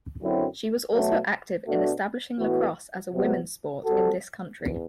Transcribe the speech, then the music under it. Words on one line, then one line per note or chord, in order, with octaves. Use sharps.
She was also active in establishing lacrosse as a women's sport in this country.
F#2 D3 F#3 C4 E4
B2 F#3 A3
B2 A3 D4 F#4
A2 E3 B3 F#4
E2 C3 F#3 B3
G3 C4 F#4 A4
E2